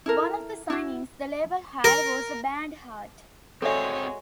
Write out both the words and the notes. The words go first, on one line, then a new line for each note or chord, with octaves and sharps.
One of the signings the label had was the band Heart.
E4 A4 A#4
E4 F#4
A#4
G#3 C4 F#4 G#4 A4 C#5 D5 E5